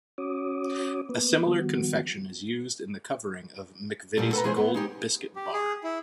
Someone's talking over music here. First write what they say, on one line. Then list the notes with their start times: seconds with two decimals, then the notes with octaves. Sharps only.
A similar confection is used in the covering of McVitie's Gold biscuit bar.
0.18 C#4 F#4 C#5 D6 D#6
1.09 A#3 B3 B4
1.47 D#3 F3 G3 B3 F#4
4.17 F#2 A#2 G3 A4
4.33 A4 B4 G#5 A#5
4.44 E3 G#3 G#4 B4 C5
4.56 B3
4.74 G#3 D#4 G4
5.36 G4
5.53 G#4
5.84 E4